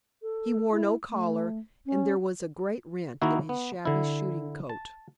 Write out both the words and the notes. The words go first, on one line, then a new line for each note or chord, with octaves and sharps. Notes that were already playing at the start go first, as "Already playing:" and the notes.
He wore no collar, and there was a great rent in his shabby shooting coat.
A4
E4
A3
C#4
D#3 A#3 D#4 E4 F#4
B3
D3 E4
A5